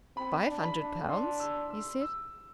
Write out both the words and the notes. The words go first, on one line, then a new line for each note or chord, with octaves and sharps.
"Five hundred pounds," he said.
C4 B5
D4
B5
D4
D4 C6
E6
E6
E6